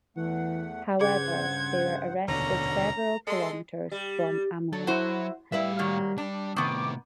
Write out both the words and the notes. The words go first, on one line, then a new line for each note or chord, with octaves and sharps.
However, they were arrested several kilometers from Amul.
E2 E3 A3 F#5
G2 C#3 G#4 C5 F#5 G#6
D#2 B2 D3 C#4 A#5
G#3 A4 C6
G3
F#3 A4
E4 F#4 C5
A2 G3 E4 B4 E5 F5
D#3 F#3 A#3
G3 D4
A2 C3 D#3 B3 D6